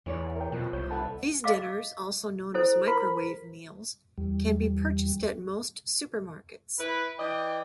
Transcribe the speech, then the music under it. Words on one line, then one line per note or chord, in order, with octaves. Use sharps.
These dinners, also known as microwave meals, can be purchased at most supermarkets.
E2 E3 C#5 D5
A#4 G5
F2 B2 F#3 B3 F#5
C2 C#5 G6
B3 E4 A4 B4 F#5 A5
D#5 F5 D6
E4 A4 C5
A#4 B5
E2 G3
E4 B4
E3 D5 D#5 G5